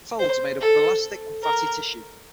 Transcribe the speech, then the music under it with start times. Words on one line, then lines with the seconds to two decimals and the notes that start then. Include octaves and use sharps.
The folds are made up of elastic and fatty tissue.
0.19 C5
0.61 A4
1.43 A#4